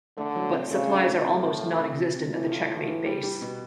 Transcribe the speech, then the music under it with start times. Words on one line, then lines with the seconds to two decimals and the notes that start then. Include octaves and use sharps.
But supplies are almost nonexistent at the Checkmate base.
0.17 D3 A3
0.36 F#3
0.53 C4
0.70 C#3 A3
0.89 D4
1.07 A3
1.25 A2 C4
1.43 C4
1.61 F4
1.79 C3
1.97 C3
2.16 C3
2.33 A2 E3
2.52 F4
2.69 F4
2.88 E3
3.06 G3
3.23 G3
3.41 B2